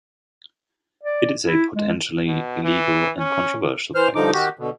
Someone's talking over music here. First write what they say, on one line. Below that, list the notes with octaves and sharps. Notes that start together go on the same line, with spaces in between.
It is a potentially illegal and controversial practice.
D5
E4
G#3
B2
E3
C#4
E3 C5 F6
G2 D3 F3 D#4 D6
D#3 F#4 G4
B2 D3